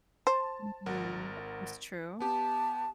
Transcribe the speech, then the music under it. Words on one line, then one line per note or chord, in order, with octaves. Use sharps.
Mhm. That's true.
C5 A5
G#1 A#4 F#5
B3 G4 A5